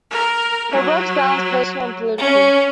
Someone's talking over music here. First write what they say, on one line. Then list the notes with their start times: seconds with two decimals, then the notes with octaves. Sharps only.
Her works balance personal and political.
0.11 A#4
0.71 F#3
2.18 C#4